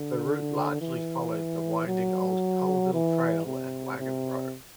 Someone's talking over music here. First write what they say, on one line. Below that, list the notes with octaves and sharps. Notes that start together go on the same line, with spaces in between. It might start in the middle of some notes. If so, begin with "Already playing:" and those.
The route largely followed the winding old Colville trail and wagon road.
Already playing: D3
E3
F#3
E3
C3
C3